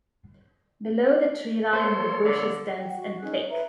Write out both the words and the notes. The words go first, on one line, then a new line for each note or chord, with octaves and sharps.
Below the tree line the bush is dense and thick.
A#3 A4 C5 C#5
D3
F#5 G5
F#4
C#4 D#4 G#4 F#6
B4 E5 A#5